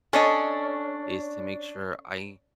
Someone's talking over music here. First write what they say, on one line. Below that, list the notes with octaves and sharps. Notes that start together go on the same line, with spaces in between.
is to make sure I
C#4 D4 A4 C#5 D#5